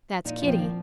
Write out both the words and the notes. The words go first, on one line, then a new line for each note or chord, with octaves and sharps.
"That's Kitty."
A#2 D#4
F3
C4
A#3